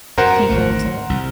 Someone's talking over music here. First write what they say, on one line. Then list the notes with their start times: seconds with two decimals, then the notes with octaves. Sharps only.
people to,
0.18 F#2 B2 A#4 C5 F#5
0.49 G#1 D2 A3
1.10 C2